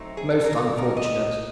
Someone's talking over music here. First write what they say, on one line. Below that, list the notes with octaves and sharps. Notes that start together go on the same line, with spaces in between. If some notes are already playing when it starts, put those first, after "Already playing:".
"Most unfortunate!"
Already playing: F#3 A3 C4 D#4
G#4
A4
A#4
A4
A#4
D#5